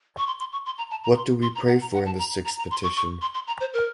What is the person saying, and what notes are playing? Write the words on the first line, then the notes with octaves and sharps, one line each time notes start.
What do we pray for in the sixth petition?
C#6
C6
C6
C#6
C6
A#5
A5
A#5
C6
C6
A#5
F#5
A#5
F#5
A5
A#5
A#5
A#5
C6
C#6
C#6
C6
C6
A#5
C5
A#4